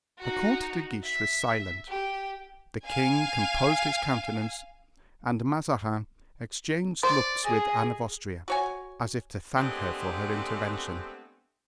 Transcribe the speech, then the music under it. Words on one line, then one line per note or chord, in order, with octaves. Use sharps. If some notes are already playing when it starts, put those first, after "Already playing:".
The Comte de Guiche was silent: the king composed his countenance, and Mazarin exchanged looks with Anne of Austria, as if to thank her for her intervention.
D#4 F#4
E5
G4
F5 G#5
C5 D5
G#4 D#5 G#5
F#4 C#5 G#5
G#3 A3 B3 C4 D4 G4